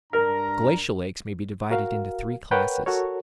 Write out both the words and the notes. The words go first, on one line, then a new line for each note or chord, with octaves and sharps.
Glacial lakes may be divided into three classes.
G2 D4 A#4 A#5
F#4 A#4 F5
A#4 B4 C#5 F#5 G5
F#4 A4 A#4 C#5